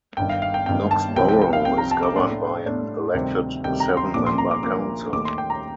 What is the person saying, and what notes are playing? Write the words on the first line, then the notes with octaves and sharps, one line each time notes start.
Knox Borough is governed by an elected, seven member council.
G1 G2 D#3 G5
F5
F5
G5
G1 G2 D#3 G5
A5
C2 C3 F3 C4 G5
G5
G5
F5
C2 C3 F3 C4 G5
A#5
A5
D6
A2 A3 D4 C6
A2 A3 D4
D2 C3 D#3 G3 C4
D2 C3 D#3 G3 C4 G5
A#5
C6
A#1 A#2 F3 A#3 D4 D6
C6
A#5
D6
A#1 A#2 F3 A#3 D4 D6
D#2 D#3 A3 D6
C6
G5
A#5